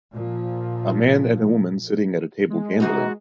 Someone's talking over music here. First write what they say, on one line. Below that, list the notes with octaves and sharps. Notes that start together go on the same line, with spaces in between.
A man and a woman sitting at a table gambling.
A#2 F3
G#3
E3 D#4 F#4 G#4